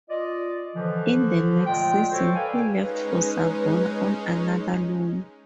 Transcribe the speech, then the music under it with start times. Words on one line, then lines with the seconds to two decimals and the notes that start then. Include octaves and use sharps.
In the next season he left for Savona on another loan.
0.09 F4 D5 D#5
0.76 D3 E3 F3
1.67 A#2 G#3 A3 F4 G5
2.12 F#4 A4 C5 C#5
2.35 A4 B4 D5 F5 G5 G#5
2.74 G#3 C#4 D#4 B4